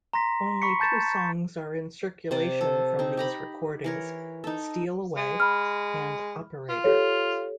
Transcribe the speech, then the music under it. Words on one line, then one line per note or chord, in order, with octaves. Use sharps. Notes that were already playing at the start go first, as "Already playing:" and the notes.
Only two songs are in circulation from these recordings: "Steal Away" and "Operator".
A#5 C6 A#6 B6
C6
B5 C#6 B6 C#7
A5 G6 A6 E7
C3 C5 D5
A4
C4 D#4
G4 A#5 B5
E3 A#4 C#5
D#4 A4
G#3
B5 F6
F4
G4 A4 C#5